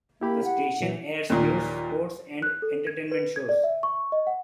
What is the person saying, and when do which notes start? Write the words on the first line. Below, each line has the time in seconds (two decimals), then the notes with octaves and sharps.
The station airs news, sports, and entertainment shows.
0.21 A#3 E4 G4 B5
0.45 F#5
0.81 A#2 E3
1.30 D#2 A#2
2.42 F#6
2.62 A4
2.87 G#6
3.12 B4
3.36 G#6
3.49 D5
3.64 E5
3.83 C#6
4.12 D#5
4.27 F#5